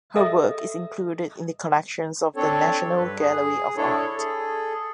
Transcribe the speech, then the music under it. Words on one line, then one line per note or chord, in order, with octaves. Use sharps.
Her work is included in the collections of the National Gallery of Art.
A4 A#4 D#5 E5
C4 D4 A4 C#5
G2 B4
G#4
D4 E4 A4 C#5
G#4 A4